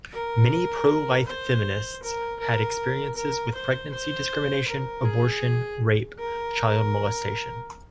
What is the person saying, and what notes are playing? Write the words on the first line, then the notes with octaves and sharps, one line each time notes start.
Many pro-life feminists had experiences with pregnancy discrimination, abortion, rape, child molestation.
A#4
C5
A#4
A#4
A#4
C5
C5
A#4
G#4
A#4